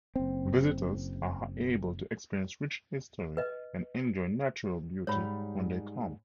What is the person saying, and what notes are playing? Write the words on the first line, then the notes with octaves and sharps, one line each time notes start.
Visitors are able to experience rich history and enjoy natural beauty when they come.
F#1 C4
B4 D#5
G#2 G3 C#5 B5